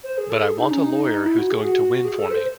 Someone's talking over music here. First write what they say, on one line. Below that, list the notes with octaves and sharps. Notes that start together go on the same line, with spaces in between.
But I want a lawyer who's going to win for me.
C5
G#4
A4
G#4
D#4
C#4
D#4
E4
F#4
G#4
F#4
G#4
A4
C5